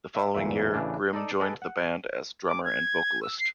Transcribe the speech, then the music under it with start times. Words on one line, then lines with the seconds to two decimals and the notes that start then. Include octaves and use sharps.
The following year, Grimm joined the band as drummer and vocalist.
0.15 E5
0.35 G1 E2 A#2 E5
0.74 A1 C#3 E3 D4
1.13 D#4 A4 D5
1.40 G#4 A4 B4 D#5
1.62 F#5
2.47 D6
2.64 G#6
3.22 E6
3.39 C7